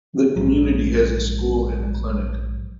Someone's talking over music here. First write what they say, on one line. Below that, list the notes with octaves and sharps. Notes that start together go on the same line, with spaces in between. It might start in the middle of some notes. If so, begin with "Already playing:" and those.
The community has a school and a clinic.
A#1 D#2 G#2 F#3